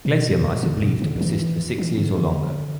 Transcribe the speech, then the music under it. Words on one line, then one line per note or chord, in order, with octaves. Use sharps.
Glacier mice are believed to persist for six years or longer.
B2
D3
B2
D3
E3
E3
D3
D3